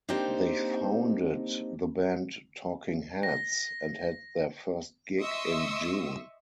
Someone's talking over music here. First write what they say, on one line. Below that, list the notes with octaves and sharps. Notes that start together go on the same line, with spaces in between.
They founded the band Talking Heads and had their first gig in June.
A#3 C4 D4 D#4 G4 C5
A#6
D#5 E5 C6 C#6 D#6 E6